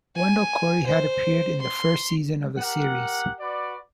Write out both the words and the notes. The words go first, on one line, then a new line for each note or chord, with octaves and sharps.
Wendell Corey had appeared in the first season of the series.
G#5
C5
C6
G4 A#4 F#5
F#4 B4 D5